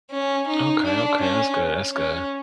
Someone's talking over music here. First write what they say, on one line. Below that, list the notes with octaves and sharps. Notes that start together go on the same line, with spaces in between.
Okay, okay, that's good, that's good,
C#4
D#4
D4
C#4
C#4